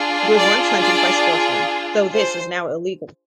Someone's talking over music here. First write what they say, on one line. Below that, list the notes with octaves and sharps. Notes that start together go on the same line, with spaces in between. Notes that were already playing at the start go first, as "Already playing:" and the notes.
It was once hunted by sportsmen, though this is now illegal.
Already playing: D4 F4 G#4
D5
D5
C5